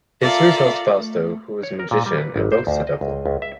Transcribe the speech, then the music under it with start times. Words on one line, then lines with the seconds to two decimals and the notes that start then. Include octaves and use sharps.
History tells Fausto, who is a magician, invokes the Devil.
0.21 F4 A4 A#4 D5 E5 F5
0.96 A3
1.63 C#5
1.79 A#4
1.91 A#2
2.06 G3
2.18 B4
2.36 G#1
2.52 C5
2.67 D2
2.87 D#5
3.01 C#2
3.26 C#2
3.42 E5